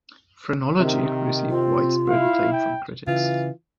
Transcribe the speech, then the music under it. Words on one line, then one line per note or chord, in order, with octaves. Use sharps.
"Phrenology" received widespread acclaim from critics.
C3 D#3
C4 F4
E4 F5
G5
C#3 E3 F4